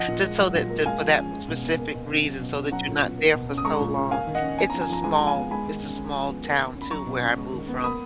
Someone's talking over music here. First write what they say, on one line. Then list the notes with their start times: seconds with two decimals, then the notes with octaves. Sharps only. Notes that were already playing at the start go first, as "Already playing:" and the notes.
Just so that that for that specific reason so that you're not there for so long. It's a small it's a small town too where I moved from.
Already playing: F3 D#5 F#5
0.08 A#2
0.24 G#3
0.39 F#3
0.55 A#2
0.70 A#3
0.86 G#3 F5 G#5
1.01 F3
1.17 C#4
1.32 G#3
1.48 B2
1.63 B3
1.79 A#3
1.94 B2
2.10 C#4
2.25 F#3
2.41 B2
2.57 C#4
2.72 F#3 F#5 A#5
2.87 A#2
3.03 B3
3.19 A#3
3.34 B2
3.50 C#4
3.58 D#6
3.65 G#3 A#5 C#6
3.80 A#2
3.96 C#4
4.11 A#3 F5 G#5
4.27 D#3
4.35 D#5 F#5
4.42 C#4
4.58 B3 G#5
4.70 F3 A#5
4.81 G#5
4.89 F3 A#5
5.04 G#3 G#5
5.15 F3 A#5
5.27 F5 G#5
5.35 B3
5.51 G#3 G#5 B5
5.67 D#3
5.82 C#4
5.98 G#3
6.13 F3
6.29 B3
6.44 A#3
6.60 D#3
6.75 C#4
6.81 B5
6.91 F#3 A#5 C#6
7.06 B2
7.22 C#4
7.37 G#3
7.53 D#3
7.68 B3
7.84 A#3 B5 D#6